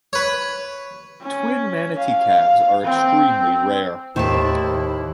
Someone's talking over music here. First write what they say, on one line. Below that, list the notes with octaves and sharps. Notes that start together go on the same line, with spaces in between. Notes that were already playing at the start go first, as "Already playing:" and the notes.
Twin manatee calves are extremely rare.
B4 C#5
C#4
F5
C4
D#2 A2 D#3 E4 C5 E5 G5 A5